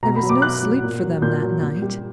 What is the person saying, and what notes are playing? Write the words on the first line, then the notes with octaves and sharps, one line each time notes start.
There was no sleep for them that night.
B2 A#5
B5
F#3
D6
B2 F#6
F#3
A#2
F#3
A#2 G6
F#3
A#2
G3